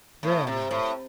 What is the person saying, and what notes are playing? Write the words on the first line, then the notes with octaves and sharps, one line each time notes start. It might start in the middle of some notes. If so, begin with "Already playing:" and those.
'There now.
A2
C3
A2